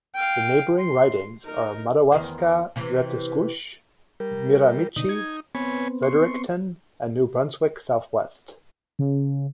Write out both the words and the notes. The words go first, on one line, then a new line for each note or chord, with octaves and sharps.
The neighbouring ridings are Madawaska-Restigouche, Miramichi, Fredericton, and New Brunswick Southwest.
F5 G5
C6
D#4 A#4
E2 D#3 C5
C3 E3
G3 A#4
B2 D3 D#4
G#6
B3 C4 B4 C#5 G#5
C6 C#6
C#3